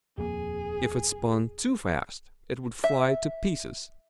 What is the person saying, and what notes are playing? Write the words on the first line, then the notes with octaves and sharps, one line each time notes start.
If it spun too fast it would fly to pieces.
D#1 F2 A#3 G#4
E5